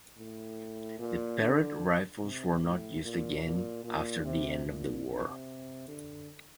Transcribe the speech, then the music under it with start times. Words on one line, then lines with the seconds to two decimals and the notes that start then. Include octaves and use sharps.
The Parrott rifles were not used again after the end of the war.
0.18 A2
0.99 A#2
1.40 D3
2.22 C3
2.63 A2
3.03 A#2
3.44 A#2
3.84 A#2
4.25 C3
4.66 A#2
5.07 C3
5.88 D3